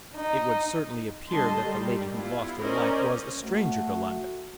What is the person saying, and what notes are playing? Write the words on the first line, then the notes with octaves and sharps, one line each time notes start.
"It would certainly appear that the lady who lost her life was a stranger to London."
D#4
D3 G3 D#5 A5 C6
D#3 G3
B3 E4 F4
C#4 A#4 C5 D5 D#5
A3 F#4